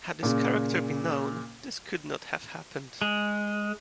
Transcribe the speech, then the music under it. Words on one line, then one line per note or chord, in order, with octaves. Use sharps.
Had his character been known, this could not have happened.
A#2 C#3
G#3